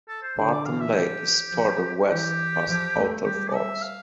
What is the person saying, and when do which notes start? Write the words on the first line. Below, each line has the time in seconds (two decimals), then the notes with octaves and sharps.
Marten Lake is further west past Otter Falls.
0.08 A4
0.23 C5
0.37 D3 C5
0.51 D5
0.65 E3 F5
0.80 E5
0.94 F3 G4
1.52 F3
2.10 E3 G4
2.68 F3
2.96 A3
3.25 G3 G4
3.48 D5
3.54 E5
3.82 F5